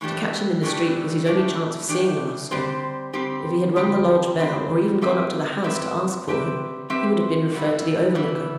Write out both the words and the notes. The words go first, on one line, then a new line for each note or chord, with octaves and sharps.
To catch him in the street was his only chance of seeing 'the measter;' if he had rung the lodge bell, or even gone up to the house to ask for him, he would have been referred to the overlooker.
A2 E3 A3 D4 G4
A2 E3 A3 D4 G4
A2 E3 A3 D4 G4
A2 E3 A3 D4 G4
D3 G3 C4 G4 C5
D3 G3 C4 G4 C5
D3 G3 C4 G4 C5
D3 G3 C4 G4 C5
G3 C4 G4 B4 E5
G3 C4 G4 B4 E5
G3 C4 G4 B4 E5
G3 C4 G4 B4 E5
E3 G3 B3 E4
E3 G3 B3 E4